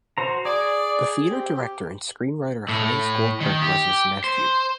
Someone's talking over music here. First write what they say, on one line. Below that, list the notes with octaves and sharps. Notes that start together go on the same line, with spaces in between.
The theatre director and screenwriter Heinz Goldberg was his nephew.
F#4 C5 A#5
G#4 D5
C4 G4
G4
A2
D#3
G4
C5